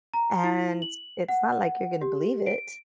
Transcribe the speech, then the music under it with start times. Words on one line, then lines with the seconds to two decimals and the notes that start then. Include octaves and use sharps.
And it's not, like, you're gonna believe it.
0.14 A#5
0.44 E4
0.82 F#7
1.29 F#5
2.02 G4
2.46 D7